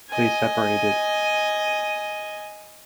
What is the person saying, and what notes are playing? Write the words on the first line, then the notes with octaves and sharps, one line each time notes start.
They separated.
D#5 G#5